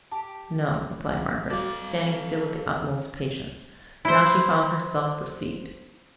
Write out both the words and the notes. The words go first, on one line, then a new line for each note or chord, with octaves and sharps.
'No!' replied Margaret, standing still with the utmost patience, now she found herself perceived.
G4 A5
G3 F#4 A4 D5 F5
E4 C5